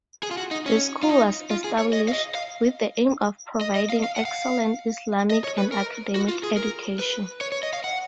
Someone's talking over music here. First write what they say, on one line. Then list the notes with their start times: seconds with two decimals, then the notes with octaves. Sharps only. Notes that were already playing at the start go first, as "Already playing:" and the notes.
The School was established with the aim of providing excellent Islamic and academic education.
0.23 G#4
0.31 F4
0.37 F#4
0.51 D#4
0.66 C#4
1.03 F4
1.09 D#4
1.51 F4
1.64 G#4
1.78 C#5
1.93 D#5
2.08 F5
2.13 D#5
2.35 F5
3.61 D#5
3.75 D#5
3.90 F5
4.04 F5
4.16 F#5
4.25 F5
5.30 D#5
5.44 C#5
5.58 B4
5.72 A#4
6.15 F#4
6.28 F4
6.43 G#4
6.57 A#4
6.99 B4
7.41 C#5
7.52 C#5
7.63 D#5
7.73 F5
7.84 F#5